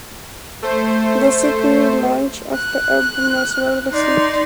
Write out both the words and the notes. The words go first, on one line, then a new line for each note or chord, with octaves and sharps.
The Sydney launch of the album was well received.
A3 C5
F#6
D#4 D5 C6